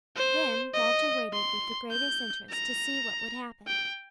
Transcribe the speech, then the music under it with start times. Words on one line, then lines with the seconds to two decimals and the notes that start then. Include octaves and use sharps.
Then Walter waited with the greatest interest to see what would happen.
0.16 C5
0.74 D#5
1.33 C6
1.92 G6
2.50 A#5
3.67 G5